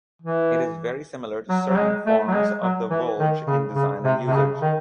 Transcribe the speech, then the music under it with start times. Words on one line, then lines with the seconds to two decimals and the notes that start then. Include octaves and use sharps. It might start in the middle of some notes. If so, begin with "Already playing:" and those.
It is very similar to certain forms of the voulge in design and usage.
0.22 E3
1.49 F#3
1.70 F#3
1.77 G#3
2.06 A3
2.28 F#3
2.34 G#3
2.62 F#3
2.90 E3
3.20 D#3
3.47 C#3
3.75 C#3
4.04 C3
4.28 C3
4.33 C#3
4.62 D#3